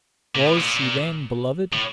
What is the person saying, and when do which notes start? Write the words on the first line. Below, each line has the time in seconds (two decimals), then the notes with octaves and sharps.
Was she then beloved?
0.35 A#2
0.46 A2
0.57 A#2
1.73 A2